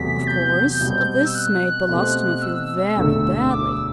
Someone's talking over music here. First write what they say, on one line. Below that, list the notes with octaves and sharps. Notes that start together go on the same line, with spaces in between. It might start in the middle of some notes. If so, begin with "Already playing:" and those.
Of course this made Belostoma feel very badly.
Already playing: E2 C3 F#3 A3 B6
G6
B2 G3 C4
E6
F#6
B2 A3 C4 G4
E6
E1 D2 D3 A3
D6
E6